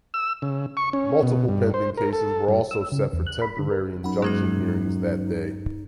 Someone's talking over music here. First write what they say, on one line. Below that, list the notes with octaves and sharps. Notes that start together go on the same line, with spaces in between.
Multiple pending cases were also set for temporary injunction hearings that day.
E6
C#3
C#6
C#4
B2
G2
C5
A#4
A4
G2
E6
C#3
E2
F#6
B5
D3
A#4
F#2 D#4 F#5 B5
G2 G#3 A#3 G#4